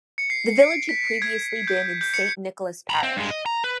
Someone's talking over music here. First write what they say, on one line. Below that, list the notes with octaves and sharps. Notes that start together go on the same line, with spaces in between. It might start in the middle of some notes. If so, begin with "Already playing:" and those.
The village had previously been in Saint Nicholas Parish.
C#7
C7
D7
B6
G#6
G6
G6
C#7
A#5 B5
C4
G2 G#3
D#5
A#5
B4